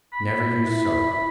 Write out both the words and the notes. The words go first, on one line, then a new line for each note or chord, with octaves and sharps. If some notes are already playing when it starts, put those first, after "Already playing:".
Never use soap.
B5
E4